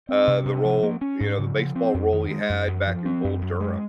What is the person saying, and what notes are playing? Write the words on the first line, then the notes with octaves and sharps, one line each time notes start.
uh, the role you know, the baseball role he had back in Bull Durham,
C4
C3
C3
F3
A#3
C#4
G#2
C#3
F3
C4
F2
D#3
G#3
F#2
F#2
F3
C4
F#2
F#2
G#3